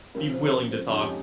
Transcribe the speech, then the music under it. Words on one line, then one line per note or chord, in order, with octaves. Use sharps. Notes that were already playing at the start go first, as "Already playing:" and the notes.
be willing to talk.
C#3 F3 C4 A#4
C5
A#4
C5
F2 C#3 G#3 D#4 G4 C#5